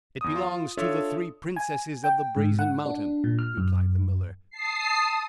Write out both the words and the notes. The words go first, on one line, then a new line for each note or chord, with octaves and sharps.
"It belongs to the three princesses of the Brazen Mountain," replied the miller.
E2 D#6
F4
D4 F4 A4 C#5 E5
G#5
G5
G#2
F#5
D4
A#2
F6
F#2
A5 D#6 C7